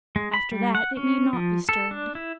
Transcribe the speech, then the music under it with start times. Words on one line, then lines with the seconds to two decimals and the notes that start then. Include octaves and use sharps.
After that it need not be stirred.
0.16 G#3
0.34 B5
0.51 G3
0.75 F#5
0.97 C#4
1.33 F3
1.69 A4
1.91 D4
2.15 E4